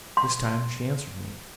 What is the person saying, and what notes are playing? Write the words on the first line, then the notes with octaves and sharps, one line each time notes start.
This time she answered me.
C6